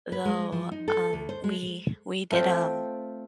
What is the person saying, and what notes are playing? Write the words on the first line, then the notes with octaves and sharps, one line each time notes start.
though, um, we we did, um,
B4
G#3
F3
D#4
A4
D2
C5
G#3
A3 C4 F4 G5